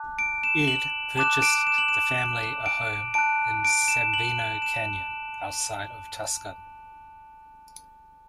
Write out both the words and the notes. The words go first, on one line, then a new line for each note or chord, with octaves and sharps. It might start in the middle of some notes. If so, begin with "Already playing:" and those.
Ed purchased the family a home in Sabino Canyon, outside of Tucson.
Already playing: A5 D6 F#6
D7
E7
F#7
A5 D6 F#6 E7
D7
E7
F#7
E7
D7
A5 F#6 D7
D7
E7
F#7
E7